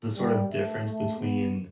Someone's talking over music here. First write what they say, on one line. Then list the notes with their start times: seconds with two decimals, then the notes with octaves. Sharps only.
the sort of difference between
0.14 G3
0.48 A3
0.83 A3
1.18 B3